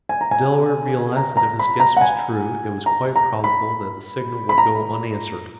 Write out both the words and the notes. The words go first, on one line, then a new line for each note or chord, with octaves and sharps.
The Delaware realized that if his guess was true it was quite probable that the signal would go unanswered.
G#5
A#5
G#5
A#5
A#5
B5
A#5
F#5
G#5
A#5
A#5
B5
B5
A#5